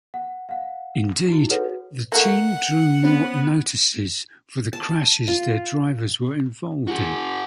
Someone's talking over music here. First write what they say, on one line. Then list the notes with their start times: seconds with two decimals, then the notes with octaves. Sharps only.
Indeed, the team drew more notices for the crashes their drivers were involved in.
0.14 F#5
0.49 F5 F#5
1.29 D#4 E4 F#4
1.49 F#4 G#4 A4 B4 C#5 F#5
2.12 A3 A#3 F#5
3.04 B3 C#4 C5
4.73 A5
5.28 F4
6.88 F#4 G#4